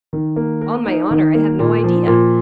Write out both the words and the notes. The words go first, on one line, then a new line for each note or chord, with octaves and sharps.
"On my honor, I have no idea."
D#3
A#3
A#4
D#4
D#3
A#3
A#2
F3
A#2